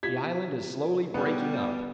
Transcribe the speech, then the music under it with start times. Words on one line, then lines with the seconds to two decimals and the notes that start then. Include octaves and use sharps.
"The island is slowly breaking up."
0.03 E4 F4 G4 G#6 B6
1.14 B2 G3 B3